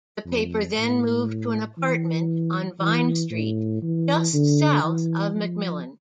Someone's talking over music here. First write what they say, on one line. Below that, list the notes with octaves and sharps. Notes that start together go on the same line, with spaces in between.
The paper then moved to an apartment on Vine Street just south of McMillan.
F2
A2
E3
E3
A2
E3
D3
E3
F3